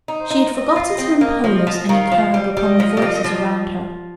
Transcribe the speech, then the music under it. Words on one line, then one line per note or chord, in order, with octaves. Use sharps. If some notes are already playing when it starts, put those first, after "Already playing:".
She had forgotten to impose any curb upon the voices round her.
D#4
C5
D#4
D#5
F4
D#5
C4
A#3 D#5
F3
D#5
F3
D#3 F5
F3
G3
G3 D#5
F3
G3
F3
F3